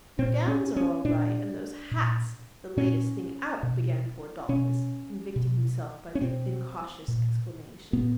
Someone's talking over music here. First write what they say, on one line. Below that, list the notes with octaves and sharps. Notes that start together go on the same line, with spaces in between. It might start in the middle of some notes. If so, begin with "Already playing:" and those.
Your gowns are all right, and those hats the latest thing out,' began poor 'Dolphus, convicting himself by the incautious exclamation.
A#2 C4
C#4
C#4
A#2 D4
A#2
A#2 C#4
B2
B2 C#4
B2
C#4
B2 C4
A#2
A#2 B3